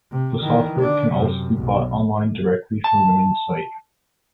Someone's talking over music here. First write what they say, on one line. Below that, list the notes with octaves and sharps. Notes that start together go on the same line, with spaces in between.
The software can also be bought online directly from the main site.
C3
D#3 E3
D3 D4
F#2 C3
B1
A5